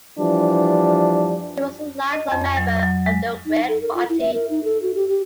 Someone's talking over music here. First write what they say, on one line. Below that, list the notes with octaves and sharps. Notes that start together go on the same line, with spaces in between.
He was a lifelong member of the Whig Party.
E3 F3 G3 D4
D#5
F2
F#3
F#3
G#3
D#4
A4
A#4
F4
E4
E5
A#4
D#4
A4
F#4
G4
G4